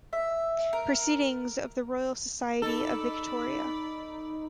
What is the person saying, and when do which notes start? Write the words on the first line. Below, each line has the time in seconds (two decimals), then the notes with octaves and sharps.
Proceedings of the Royal Society of Victoria.
0.13 E5
0.73 A#4
2.62 D#4 A4 D5 B5